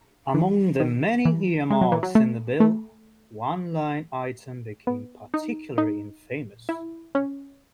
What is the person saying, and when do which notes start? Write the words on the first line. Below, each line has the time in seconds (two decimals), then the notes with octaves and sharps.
Among the many earmarks in the bill, one line item became particularly infamous.
0.34 E3
0.80 D#3
1.25 E3
1.70 G#3
1.81 F#3
1.92 E3
2.03 F#3
2.15 A3
2.60 A3
4.87 B3
5.34 D#4
5.78 D#4
6.69 E4
7.15 C#4